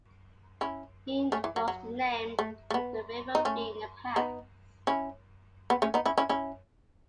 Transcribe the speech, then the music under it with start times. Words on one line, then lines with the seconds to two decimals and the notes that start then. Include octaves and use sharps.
"Neen" was the name of the River Rea in the past.
0.61 C#4 E4
1.32 A3 C#4
1.44 E3
1.56 F#3
1.68 F#3
2.39 A3
2.70 A3
2.74 B3
3.35 D#4
3.45 A3 C#4
4.16 B3 D#4
4.87 C#4 E4
5.70 B3
5.82 A3 C#4
5.94 B3 D#4
6.05 C#4 E4
6.18 C#4 E4
6.29 C#4 E4